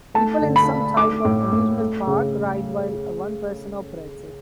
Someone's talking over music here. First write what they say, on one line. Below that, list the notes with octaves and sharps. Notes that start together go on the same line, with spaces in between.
People in some type of amusement park ride while one person operates it.
A3 A5
D3
B5
D4
A3 D6
A2
A2
A3
C#3